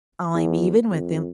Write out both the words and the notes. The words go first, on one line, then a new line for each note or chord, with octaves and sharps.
I'm even with him.
E2
F2